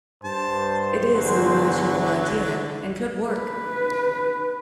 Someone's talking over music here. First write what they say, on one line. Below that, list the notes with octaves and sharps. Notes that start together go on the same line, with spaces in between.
It is an imaginable idea and could work.
G2 C5 A5
E2 D3 F#3
B4